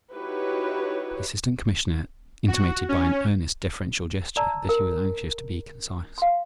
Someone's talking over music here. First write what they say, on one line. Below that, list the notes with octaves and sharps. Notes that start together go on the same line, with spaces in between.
The Assistant Commissioner intimated by an earnest deferential gesture that he was anxious to be concise.
D#4 E4 F#4 G4 B4 C#5
F#4
C#4
D5 A5 A#5 E6
A#4
F5 C6